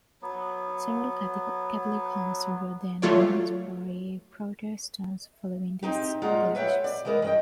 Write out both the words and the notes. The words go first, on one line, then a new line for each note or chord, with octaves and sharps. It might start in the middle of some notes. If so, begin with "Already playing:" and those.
Several Catholic homes were then burnt by Protestants following these clashes.
F#3 B3
F#3 A3 F4 C#5 D5
C4 D#4 G4
A#2 G#3 F4 F#5 A#5
B4 C#5 E5 F#5 G5
D5
E3 G#3 B3 A#4 B4
G2 D#5 G5